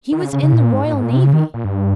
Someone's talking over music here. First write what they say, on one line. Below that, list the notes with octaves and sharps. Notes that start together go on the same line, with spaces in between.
"He was in the Royal Navy!"
D#3
C#3
C#3
C#3
A#2
G#2
A#2
G#2
A#2
C3
C#3
D#3
A#2
G2